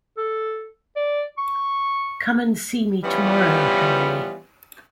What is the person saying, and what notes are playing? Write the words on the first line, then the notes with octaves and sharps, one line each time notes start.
Come and see me tomorrow, Hannay.
A4
D5
C#6
E3 F3 G3 B3 C#4 F4